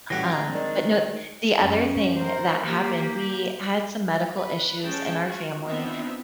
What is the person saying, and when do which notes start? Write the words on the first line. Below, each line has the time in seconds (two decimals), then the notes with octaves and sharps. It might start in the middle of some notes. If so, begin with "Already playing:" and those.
Um, but, no, the other thing that happened, we had some medical issues in our family
0.10 A2 E3 G3 C#4 F#4 A#6
0.32 G#3 C4 D4 A#5
0.54 D#3 D5
1.56 F#2 C#4
2.15 A#4 C5
2.62 A#3 G4
4.36 B4
4.83 G#3 C#4 G#4 G5 A5
5.24 F4 F#4
5.65 B3 C4 D4 D#4 F4 E5